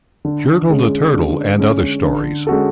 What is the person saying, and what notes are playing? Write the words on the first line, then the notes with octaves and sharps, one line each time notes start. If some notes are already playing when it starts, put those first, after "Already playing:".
"Yertle the Turtle and Other Stories".
D3
G#3 C#4
D3
G#3 C#4
D3
G#3 C#4 F#4 A4